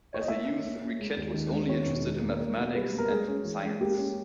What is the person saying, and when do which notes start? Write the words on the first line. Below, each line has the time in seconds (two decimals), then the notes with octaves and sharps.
As a youth, Riquet was only interested in mathematics and science.
0.14 C#5
0.21 D#5
0.28 A#3 E5
0.47 C#4
0.64 A#3
0.82 C#4
0.99 G#3
1.16 D#2
1.34 D#3
1.52 G#3
1.69 D#3 C#5
1.86 E1
2.04 D#3
2.22 A#3
2.40 A#3
2.57 B1
2.75 G3 B4
2.93 A#3
2.98 A#4
3.10 G#3 G#4
3.28 C#4
3.45 E3
3.63 G#3
3.81 A#3 G4
3.98 C#4